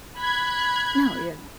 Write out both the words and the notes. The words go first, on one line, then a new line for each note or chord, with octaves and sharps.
No, yeah.
B5 F#6 G#6